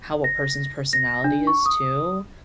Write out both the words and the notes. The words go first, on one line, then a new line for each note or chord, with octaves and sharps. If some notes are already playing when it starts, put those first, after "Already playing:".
how a person's personality is too.
A#6
A#6
D4
C#6
D#6